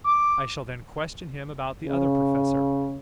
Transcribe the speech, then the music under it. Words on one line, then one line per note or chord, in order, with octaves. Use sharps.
I shall then question him about the Other Professor.
D6
C#3